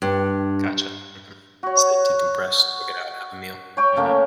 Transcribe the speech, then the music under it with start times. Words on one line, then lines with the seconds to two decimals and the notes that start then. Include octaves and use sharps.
Gotcha, mhm. So, decompress, check it out, have a meal. Mhm.
0.02 G2
1.63 F#4 C#5
3.77 C#5 G5 C#6
3.96 C#3 A3 A#3